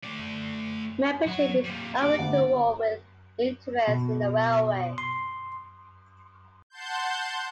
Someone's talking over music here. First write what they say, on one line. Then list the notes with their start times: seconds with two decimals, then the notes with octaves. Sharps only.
Membership is open to all with an interest in the railway.
0.04 A3 D5
1.26 F#3 F#5
1.65 G3 A#3
2.02 F#1 G3 D5 D6
2.18 G1 D2 F#5
3.87 B2
4.98 C6
6.70 F#5 A5 C6 G6